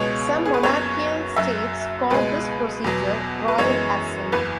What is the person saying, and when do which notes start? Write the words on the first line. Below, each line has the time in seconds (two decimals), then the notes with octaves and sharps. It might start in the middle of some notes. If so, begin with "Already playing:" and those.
Some monarchical states call this procedure "royal assent".
Already playing: C#2 B2 G#3 B3 C#5
0.45 G#4
0.54 B4
0.63 F#1 F#2 F#3 B3 C#5
1.36 F#1 F#2 F#3 E5
2.10 C#2 B2 G#3 B4
2.84 E2 B2 F#3 B3
3.48 B4
3.58 F#2 E3 G#3 B3 C#5
4.32 F#1 E2 E3 B4